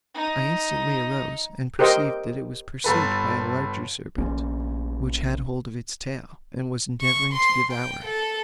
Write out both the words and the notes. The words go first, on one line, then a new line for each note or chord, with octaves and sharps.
I instantly arose, and perceived that it was pursued by a larger serpent which had hold of its tail, and was endeavouring to devour it.
D#4
G4 A#4 C5 D#5 G5
G1 A4 B4
A#1 C#4
C#6
C6
G5
A4